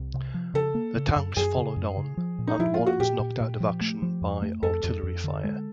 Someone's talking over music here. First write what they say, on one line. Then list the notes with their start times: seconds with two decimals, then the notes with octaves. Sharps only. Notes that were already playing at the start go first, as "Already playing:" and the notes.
The tanks followed on, and one was knocked out of action by artillery fire.
Already playing: C2
0.14 C3
0.34 F3
0.54 C#3 A4
0.75 A#3
0.96 C#3
1.16 F#2
1.37 F#2 G#4
1.57 C#3
1.76 F#2
1.97 C#3
2.17 F3
2.39 A#2
2.47 D#4
2.59 F3 E4
2.74 A#3 F4
2.86 F#4
3.00 A#2 G4
3.19 A#2
3.40 A#2
3.60 F3
3.81 A3
4.02 F3
4.21 F2
4.42 A3
4.63 F2 A4
4.84 F2
5.03 F2
5.24 D3
5.44 G#3